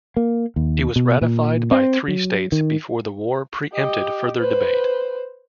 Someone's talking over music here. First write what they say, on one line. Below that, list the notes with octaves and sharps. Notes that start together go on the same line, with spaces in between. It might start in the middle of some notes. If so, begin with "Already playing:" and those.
It was ratified by three states before the war pre-empted further debate.
A#3
D#2
B2
A#2
C4
F#3
D#3
G4 D#5
B4 C5